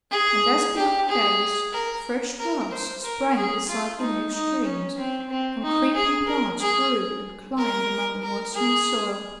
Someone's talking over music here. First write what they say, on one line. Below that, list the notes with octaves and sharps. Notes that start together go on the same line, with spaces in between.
And as Gluck gazed, fresh grass sprang beside the new streams, and creeping plants grew and climbed among the moistening soil.
G#4
G4
G#4
A#4
A#4
C5
A#4
G#4
F4
D#4
D#4
C#4
C4
C4
D#4
G#4
A#4
G#4
A#4
A#4
G#4